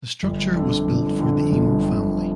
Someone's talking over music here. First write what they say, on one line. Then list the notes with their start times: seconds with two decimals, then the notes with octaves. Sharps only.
The structure was built for the Emo family.
0.23 G1
0.56 F2 D3
0.88 G1
1.20 F2 D3
1.52 G1
1.84 F2 D3